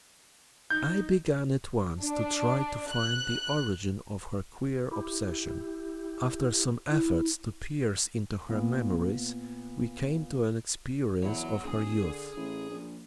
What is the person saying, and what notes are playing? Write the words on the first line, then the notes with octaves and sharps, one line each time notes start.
I began at once to try to find the origin of her queer obsession. After some efforts to pierce into her memories, we came to an experience of her youth.
D#4 G6
D4
F#6
E4 G4
E4
A#2 B3
E2 C#5 F#5
E1 G#4 G#5
D3
A1
A#1